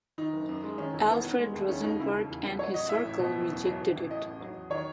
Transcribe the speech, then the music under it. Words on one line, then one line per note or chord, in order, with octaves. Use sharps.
Alfred Rosenberg and his circle rejected it.
D#3 D#4
F#1
F#2
G#3
D#3 C#4
E1
E2 B3
E1
G#3
D#2
D#3 C#4
D#2 D#4
C#3 E4
E1
E2
F#3
F#3 C#5
A1 D#5
A2 E5
A1
B2
F#1
E2
F#3
E3
A1
A2 D#5
A1
F#3
E2
D#3 C#5